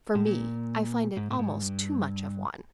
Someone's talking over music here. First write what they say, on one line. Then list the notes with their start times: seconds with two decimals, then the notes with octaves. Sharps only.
For me, I find it almost too much of one!
0.15 A2
0.26 A#2
1.17 G#2
1.30 A2
1.39 G#2
1.62 G2